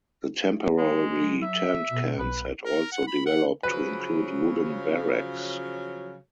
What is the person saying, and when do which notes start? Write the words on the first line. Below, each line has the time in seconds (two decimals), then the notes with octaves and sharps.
The temporary tent camps had also developed to include wooden barracks.
0.78 G#3
1.14 F#3
1.42 E5
1.90 B2
2.19 B1 B4
2.65 A#4
2.92 F#5
3.07 B5
3.26 F#5
3.63 C#3 F3 F#3 B4